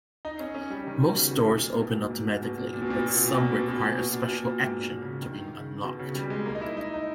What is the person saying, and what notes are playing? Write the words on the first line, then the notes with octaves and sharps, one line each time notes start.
Most doors open automatically, but some require a special action to be unlocked.
D#4
C#4
C#4
G3
D#3
B2
C#3
B2
A#2
B2
A#2
G#2
A#2
B2
A#2
A#2
B2
A#2
B2
A#2
B2
A#2
B2
A#2
B2
A#2
B2
A#2
B2
A#2
B2
A#2
G#2
A#2
C#3
D#3
C#3
B2
C#3
G3
G#3
A#3
D#4
E4
D#4
D#4